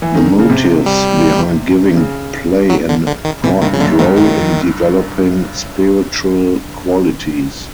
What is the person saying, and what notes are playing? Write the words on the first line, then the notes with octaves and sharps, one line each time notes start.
The motives behind giving play an important role in developing spiritual qualities.
E3
D#3
D3
C#3
C3
G3
C#3
F#3
D3
D3
D#3
C3 E3
G2 D#3
C#3
F#2 D3
G2 D#3
D#3